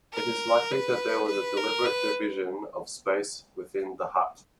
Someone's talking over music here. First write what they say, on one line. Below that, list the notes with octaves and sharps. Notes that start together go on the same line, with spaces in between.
It is likely that there was a deliberate division of space within the hut.
A#4
B4
B4
A#4
B4